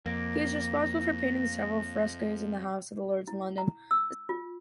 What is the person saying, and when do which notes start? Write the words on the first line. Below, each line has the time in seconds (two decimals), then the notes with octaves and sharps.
He was responsible for painting several frescos in the House of Lords in London.
0.06 F2 A#3 A#6
3.28 E4
3.58 A#5
3.91 E6
4.29 F4